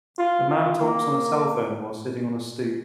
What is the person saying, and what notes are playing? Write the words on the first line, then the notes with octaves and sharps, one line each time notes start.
A man talks on a cellphone while sitting on a stoop.
F4
F4
A#3